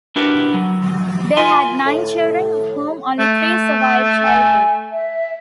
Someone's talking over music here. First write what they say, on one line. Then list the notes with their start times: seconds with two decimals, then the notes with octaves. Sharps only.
They had nine children, of whom only three survived childhood.
0.16 D4 E4 F#4 G4 A#4 B4
0.54 F#3
1.37 F4 A#4 E5 G#5 C6
1.86 A2
3.19 A3
4.23 G#5
4.92 E5